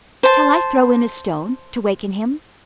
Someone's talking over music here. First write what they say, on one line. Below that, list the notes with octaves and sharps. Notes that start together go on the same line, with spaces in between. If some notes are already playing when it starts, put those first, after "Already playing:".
"Shall I throw in a stone, to waken him?"
C5 A5